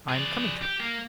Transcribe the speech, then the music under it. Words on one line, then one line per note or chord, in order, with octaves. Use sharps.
I'm coming to it!
G#4 D5
G4
A#3